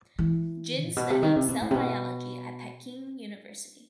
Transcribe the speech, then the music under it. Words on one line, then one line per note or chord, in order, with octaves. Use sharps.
Jin studied cell biology at the Peking University.
E3
A2
B2
C3
D#3
C3
B2
A2
C3
B2